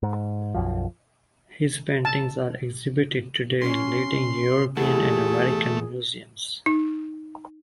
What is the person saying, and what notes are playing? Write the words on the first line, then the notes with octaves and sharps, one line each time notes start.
His paintings are exhibited today in leading European and American museums.
G#2
B1 F#2 F3
A5
C#4 C6
E2 A3 E4 G4 G#4 F#5
D#4